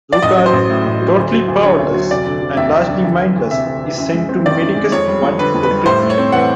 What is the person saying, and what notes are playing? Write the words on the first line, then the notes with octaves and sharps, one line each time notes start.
Rugarth, totally powerless, and largely mindless, is sent to Medicus One for treatment.
D5
A1 D#5
F#3
C5
A1
A2
A1
F#3
D2
F#3
D2
D3 C#5
D2
F#3
F1 D5
D3
F#3
D#2 E5
F1
D3
D2
E3
D2
C3 E5
D2
E3
F#2
G#3
C4
D#3 D5
F#2
G#3
F2 C#5
G3
F2
D3 B4
F2
B4
G3
A2 C5
A3
C#5
C4
E3 F#5